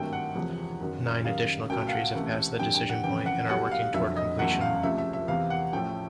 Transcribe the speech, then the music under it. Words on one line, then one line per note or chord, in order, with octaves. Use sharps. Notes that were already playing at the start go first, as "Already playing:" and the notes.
Nine additional countries have passed the decision point and are working toward completion.
Already playing: G#1 G2 D#3 F#3 A3 G5
F#5
E1 E2 C3 F3
F#1 F#2 D#3 F#3
F#1 F#2 D#3 G3 F5
C#2 B2 F#3 A3 G5
F5
F#5
C#2 C3 E3 A3
F2 D3 G3 G5
G5
F#5
F2 C#3 E3 G5
F#5
B1 B2 G3 F#5
F5
F1 F2 D3 F#3 E5
D#5
F#1 E2 C#3 F#3 A3 F#5
F5
C#2 C3 F3 A3 E5
E5
E5
E2 C3 E3 F5
F#5
A1 A2 F3 A3 G5